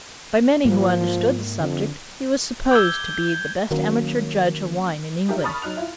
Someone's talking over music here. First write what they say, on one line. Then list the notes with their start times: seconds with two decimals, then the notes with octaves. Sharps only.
By many who understood the subject he was supposed to be the best amateur judge of wine in England.
0.65 G#2 F3 A#3
1.60 F2 D3
2.71 D6 E6 G6 G#6 G7
3.71 D#3 F#3 A#3 C#4
5.28 D#4 G4 A#4 E5
5.44 A5 B5 C#6 D#6 F6 A6
5.62 F#3 D#4 F#6 F7
5.77 E4 F4